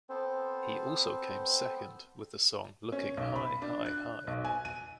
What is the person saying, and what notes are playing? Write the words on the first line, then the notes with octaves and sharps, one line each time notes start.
He also came second, with the song "Looking High, High, High".
B3 C4 A4 C5
C#4
B1
B5
D4
F#6
B1
G#5
D#7